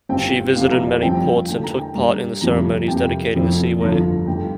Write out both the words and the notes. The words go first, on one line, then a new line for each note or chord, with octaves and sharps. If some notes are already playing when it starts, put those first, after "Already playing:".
She visited many ports and took part in the ceremonies dedicating the Seaway.
G1 G2 G3 C4 G5
F1 F2 C3 F5
A#5
D5
G2 F3 C4 G5
D2 D3 A#3 D4 G5
A#5
G5
G2 G3 A#3 D4 A#5
G1 F2 C3 F3 A#5
F2 C3 A#3 G5
F1 F2 F3 C4
G1 F2 D3 F3 A#5
G1 G2 D3 G5